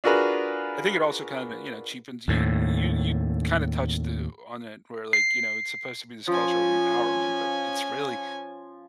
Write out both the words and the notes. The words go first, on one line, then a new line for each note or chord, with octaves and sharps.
I think it also kind of, you know, cheapens you you you kind of touched on it, where like, you know, it's supposed to be this culture of empowerment, but it's really
D4 F4 F#4 G#4 A#4 B4
D#2 A2
C7
F3 C#4 G#5